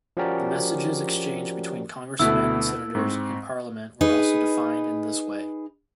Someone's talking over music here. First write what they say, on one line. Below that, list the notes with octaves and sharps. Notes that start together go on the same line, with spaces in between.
The messages exchanged between congressmen and senators in parliament were also defined in this way.
F3 C#4 F#4 G4 A#4 D5
D2 B2 A3 B3 E4 E6
G#2 C4 C#6
D#4 G#4 B4